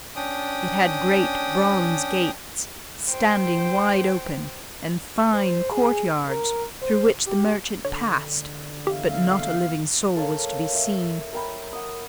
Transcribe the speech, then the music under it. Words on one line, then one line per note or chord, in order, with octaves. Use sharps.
It had great bronze gates, standing wide open, and fine court-yards, through which the merchant passed; but not a living soul was to be seen.
C#4 D4 G5 D#6
C5 G5
C5
G#4
A#4
C5
G4
D3 C#5
E2 G4 E5 F5
A4 A#4 C#5 F5
E5
A#4 G5 B5
F#5 D#6